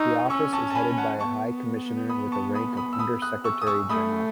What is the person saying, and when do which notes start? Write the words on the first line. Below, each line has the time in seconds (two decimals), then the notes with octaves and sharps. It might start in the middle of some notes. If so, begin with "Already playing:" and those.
The Office is headed by a High Commissioner with the rank of Under-Secretary-General.
Already playing: D#4 C#6 E6
0.30 C#4 C#6 E6
0.53 A5 C#6
0.70 A5
0.75 G#5 B5
0.98 F#5 A5
1.20 B3 A5 C#6
2.09 B5 D#6
2.32 A5 C#6
2.55 B5 D#6
2.77 B5 D#6
2.93 E6
2.99 B5 D#6
3.22 D#6 F#6
3.44 C#6 E6
3.62 D#6
3.67 C#6 E6
3.89 A3 B5 D#6